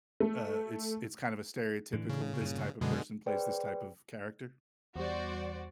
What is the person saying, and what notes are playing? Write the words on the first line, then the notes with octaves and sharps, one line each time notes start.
uh, it's it's kind of a stereotypical this type of person plays this type of character?
A3
A2 D3 E3
C#3
G2 A#2
C2 F#2 B2 D3 G#3
G#4 B4 C5 D5 G5
E2 G3 F#4 C5 D5